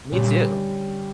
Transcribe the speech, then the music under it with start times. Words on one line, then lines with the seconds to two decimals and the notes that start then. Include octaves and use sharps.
Me too.
0.12 A#2 D3 G3 C#4